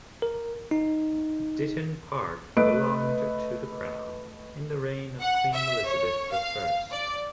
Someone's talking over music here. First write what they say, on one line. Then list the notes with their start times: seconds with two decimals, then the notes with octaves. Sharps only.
Ditton Park belonged to the crown in the reign of Queen Elizabeth the First.
0.22 A#4
0.71 D#4
2.57 A3 B4 D#5 D7
5.20 F#5
5.53 E5
5.87 C#5
6.30 F5
6.91 D5